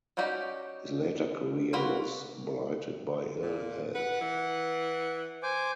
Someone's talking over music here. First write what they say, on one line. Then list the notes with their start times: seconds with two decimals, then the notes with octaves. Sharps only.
His later career was blighted by ill health.
0.17 G3 C#4 D#4 F#4 G4
1.73 A#3 F4 F#4 B4
3.42 A#2
3.95 B4 F#5
4.21 E3
5.43 C5 G#5 D6